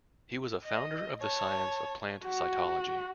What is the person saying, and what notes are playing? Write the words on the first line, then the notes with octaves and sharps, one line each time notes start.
He was a founder of the science of plant cytology.
D#5
C#5 A5
F#4